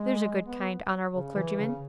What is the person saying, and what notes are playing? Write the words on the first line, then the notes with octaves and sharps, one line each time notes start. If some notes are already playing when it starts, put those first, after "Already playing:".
There's a good, kind, honourable clergyman.'
Already playing: G#3
B3
C#3
E3
C#3